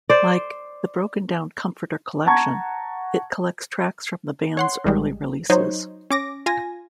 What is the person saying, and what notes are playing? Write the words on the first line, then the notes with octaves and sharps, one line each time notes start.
Like "The Broken Down Comforter Collection", it collects tracks from the band's early releases.
C5 D5
F#5 A5 A#5 C#6 G#6
C#5 F#5 C6
A1 G3 G#3
F#3 D#4 C5 C#5
C#4 D6 A#6
F4 G#5 A#6